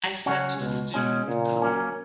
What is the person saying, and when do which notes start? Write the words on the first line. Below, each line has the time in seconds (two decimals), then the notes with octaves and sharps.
I said to a student, um,
0.26 C#3 F#3 C#4 F#4
0.61 C#2 B2
0.94 B2 G#3 C#4
1.28 A#2 C#3
1.62 F#3 A#3 C#4